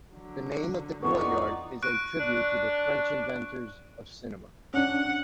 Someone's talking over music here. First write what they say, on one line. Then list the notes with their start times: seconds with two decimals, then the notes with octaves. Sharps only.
The name of the courtyard is a tribute to the French inventors of cinema.
0.13 D3 F#3
1.03 F2 E3 D#4 F4 D5 F#5 C#6
1.82 C#6 F#6 D7
2.19 D4
4.74 C#4 D4 F#5